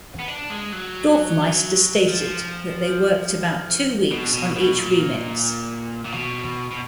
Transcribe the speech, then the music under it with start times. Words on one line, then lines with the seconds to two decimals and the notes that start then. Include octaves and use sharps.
Dorfmeister stated that they worked about two weeks on each remix.
0.19 B3
0.28 D4
0.50 G#3
0.72 F#3
2.08 F3
4.11 B2
4.34 B2
4.56 B2
4.78 A#2
6.05 A#2
6.13 B2
6.71 B2